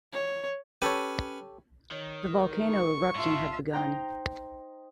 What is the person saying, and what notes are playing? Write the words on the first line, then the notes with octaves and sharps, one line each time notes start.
The volcano eruption had begun.
C#5
C#4 G4 A4 B4 C#5 G#5
D#3 C#5
A#4
C#6
G#2 E4 F4 E5 A5
D#4 C5 G5 A#5